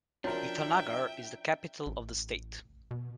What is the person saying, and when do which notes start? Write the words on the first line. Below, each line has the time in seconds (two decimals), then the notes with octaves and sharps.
Itanagar is the capital of the state.
0.24 F3 C#4 D4 F#4 A#4 C#5 E5 G5
1.86 A1
2.91 B2